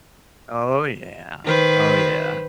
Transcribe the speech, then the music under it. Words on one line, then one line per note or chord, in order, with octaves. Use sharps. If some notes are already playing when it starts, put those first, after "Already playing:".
Oh, yeah. Oh, yeah.
D#3 B4 C5